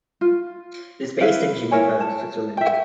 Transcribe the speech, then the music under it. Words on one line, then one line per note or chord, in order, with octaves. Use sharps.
It is based in Geneva, Switzerland.
F4
E4 B4 E5 F5
E4 A#4 C#5 G#5
A5
E5 G5